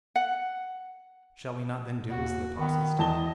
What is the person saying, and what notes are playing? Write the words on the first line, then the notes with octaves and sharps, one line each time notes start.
Shall we not then do as the apostles did?
F#5
D#2 F#4
D#3 B3
E2 D#5 A5 G7